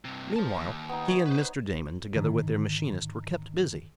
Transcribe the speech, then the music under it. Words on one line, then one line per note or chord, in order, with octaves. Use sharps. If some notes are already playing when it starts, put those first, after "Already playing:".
Meanwhile he and Mr. Damon, together with their machinist, were kept busy.
G2 C3
C5 A5
D#2
B3 D#4
C#5
B4 C5
G#2 D3 D#3